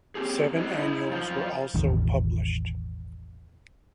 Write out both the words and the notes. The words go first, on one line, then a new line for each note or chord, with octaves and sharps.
Seven annuals were also published.
C4 G4 G#4
G3 E4 C5 D5 D#5
D#4 E4
F#2 F4 C5
E1 A1 D#3